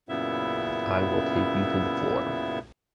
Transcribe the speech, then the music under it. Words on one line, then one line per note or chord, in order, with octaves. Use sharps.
I will take you to the floor.
F#2 A#2 C#3 B3 E4 E5